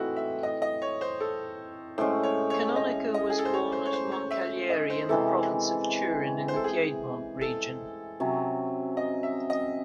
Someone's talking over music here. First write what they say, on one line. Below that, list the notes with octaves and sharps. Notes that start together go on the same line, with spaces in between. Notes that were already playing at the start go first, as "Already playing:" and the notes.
Canonica was born at Moncalieri in the province of Turin in the Piedmont region.
Already playing: A2 E3 C4 D#4 E4 F#4
E5
D#5
D#5
C#5
C5
A4
A2 G#3 C#4 C5
C#5
C#5
D#5
D#5
G#4
A4
C5
C#5
C5
C#5
C5
C#5
E5
D#5
C5
C3 E3 G#3 A4
C5
A4
G#4
A4
C3 F#3 C#4
D#5
E5
D#5